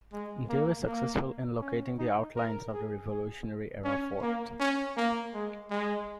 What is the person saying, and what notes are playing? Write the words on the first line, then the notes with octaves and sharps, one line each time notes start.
They were successful in locating the outlines of the revolutionary era fort.
G#3
A#3
A#3
C#4
D#4
A#4
G#4
G#4
C#4
A#3
C#4
A#3
G#3
G#3